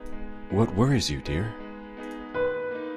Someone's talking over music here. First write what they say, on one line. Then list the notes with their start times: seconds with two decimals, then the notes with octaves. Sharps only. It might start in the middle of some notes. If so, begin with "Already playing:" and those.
What worries you, dear?
Already playing: G#3 B3 D#4 G#4 B4
0.12 G#3
0.50 B3 D#4 G#4 B4
0.86 G#3
1.23 B3 D#4 G#4 B4
1.60 G#3
1.97 B3 D#4 G#4 B4
2.34 D#3 B4
2.71 A#3 D#4